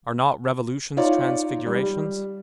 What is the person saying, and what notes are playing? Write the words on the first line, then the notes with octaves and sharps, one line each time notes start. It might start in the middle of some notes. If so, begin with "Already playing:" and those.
Are not revolutions transfigurations?
D#4 F4 C#5 D5
G3